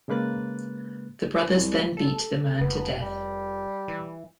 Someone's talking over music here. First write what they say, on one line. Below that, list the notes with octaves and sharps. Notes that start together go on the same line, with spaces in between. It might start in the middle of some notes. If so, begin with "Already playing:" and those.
The brothers then beat the man to death.
C#3 G#3 A#3 B4 F#6 A6
C2
A4
F1 B3
G3
E3